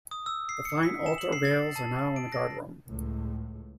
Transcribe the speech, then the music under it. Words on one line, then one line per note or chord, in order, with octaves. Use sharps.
The fine altar rails are now in the Guard Room.
D#6
E6
C7
C#7
B6
E7
F#7
C7
A6
A5
D7
A#6
C#2 A2